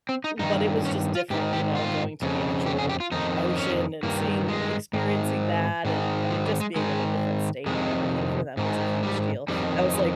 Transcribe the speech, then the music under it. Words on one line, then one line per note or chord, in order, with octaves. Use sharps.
But it was just different, you know, going to the actual ocean and seeing experiencing that, and I mean, just being in a different state and everything for them was a huge deal. I was like
C4
D#4
G2 D#3 D#4
C#4
F4
G#2 D#3 G4
G4
F4
F2 C#3
G4
G#4
G4
F4
F2 D#3 D#4
C#4
G2 D#3 A#3
G#3
G#2 D#3
G#2 D#3
F3
G3
G#3
G#2 D#3 G#3
F2 C3 D#3 G#3
G#2 D#3
G3
F2 D#3 G3
G#3